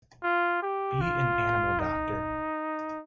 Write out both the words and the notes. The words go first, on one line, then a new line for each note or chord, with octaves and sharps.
Be an animal-doctor.
F4
G4
F4
D#4